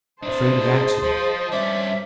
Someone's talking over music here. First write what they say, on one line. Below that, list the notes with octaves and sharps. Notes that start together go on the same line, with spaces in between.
Afraid of accidents.
D4 E4 C5 D#5 A5
G#4
F3
G2 C#4 D5 E5